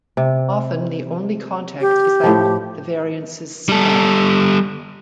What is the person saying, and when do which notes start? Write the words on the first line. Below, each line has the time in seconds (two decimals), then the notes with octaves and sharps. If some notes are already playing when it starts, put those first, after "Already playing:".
Often the only context is that the variance is "small".
0.17 C3
1.81 G4
2.24 A2 F3
3.69 G3 A4